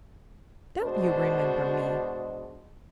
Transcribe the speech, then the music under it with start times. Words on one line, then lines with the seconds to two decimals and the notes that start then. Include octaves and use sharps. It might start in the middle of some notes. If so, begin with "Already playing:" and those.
"Don't you remember me?"
0.83 B2 G#3 D4 F#4 C5 D#5